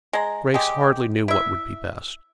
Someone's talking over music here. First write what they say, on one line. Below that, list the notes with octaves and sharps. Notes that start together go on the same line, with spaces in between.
Grace hardly knew what would be best.
G#3 A#5
G#3 G4
E4 E5